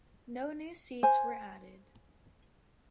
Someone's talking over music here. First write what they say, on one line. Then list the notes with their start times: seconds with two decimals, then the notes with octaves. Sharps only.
No new seats were added.
1.03 C5 G#5